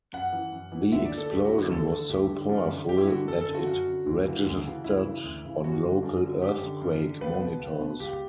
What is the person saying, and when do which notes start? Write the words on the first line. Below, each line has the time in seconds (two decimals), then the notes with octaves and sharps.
The explosion was so powerful that it registered on local earthquake monitors.
0.13 F#2 F#5
0.33 E3
0.52 F#2
0.72 E3
0.91 D2 E5
1.05 D5
1.11 D3
1.17 A4
1.31 D2 G4
1.45 F#4
1.50 D3
1.71 D2 A4
1.90 D3
2.09 D2 G4
2.30 D3
2.49 F#2
2.69 D3
2.89 F#2 G4
2.98 E4
3.07 D3 F#4
3.27 F#2 A4
3.41 A4
3.47 D3
3.55 F#4
3.66 F#2 F#4
3.87 D3
4.06 D2
4.26 C#3 E3
4.46 D2
4.65 C#3 E3
4.84 D2 E4
5.04 C#3 E3
5.24 D2
5.44 C#3 E3
5.64 F#2 F#4
5.83 D3
6.03 F#2
6.23 D3
6.42 F#2 G4
6.62 D3
6.82 F#2
7.02 D3
7.21 C#2 B4
7.40 B2
7.59 C#2
7.79 B2
8.00 C#2 G4